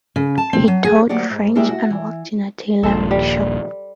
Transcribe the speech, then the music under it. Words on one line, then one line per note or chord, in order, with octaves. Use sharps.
He taught French and worked in a tailoring shop.
C#3
A5
C4
F#3
G#4
D2 F#3 A#3 G4 D5 F#5
G#2
G3 G#3 A#3 E4 G4
F#4
E3
D#1 A#1 A#2 A4 C5
G3